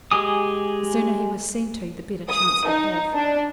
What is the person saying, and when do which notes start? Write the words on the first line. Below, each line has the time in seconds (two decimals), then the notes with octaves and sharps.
The sooner he was seen to, the better chance he'd have.
0.11 G#3 G4 G#5 D#6
2.30 D#6
2.69 D#4
3.14 D4